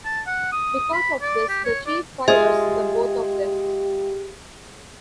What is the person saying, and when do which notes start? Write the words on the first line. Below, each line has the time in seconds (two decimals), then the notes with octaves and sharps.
Because of this, the chief fires the both of them.
0.05 A5
0.27 F#5
0.52 D#6
0.93 B5
1.21 D5
1.48 G4
1.65 C#5
1.86 D5
2.28 G#3 F4 G4 G#4 E5